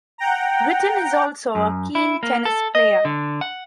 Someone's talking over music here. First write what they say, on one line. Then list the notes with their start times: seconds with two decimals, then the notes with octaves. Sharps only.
Witten is also a keen tennis player.
0.18 F#5 G5 A#5
1.55 F#2
1.95 E4
2.23 A#3
2.45 A4
2.75 D#5
3.05 D3
3.41 F#5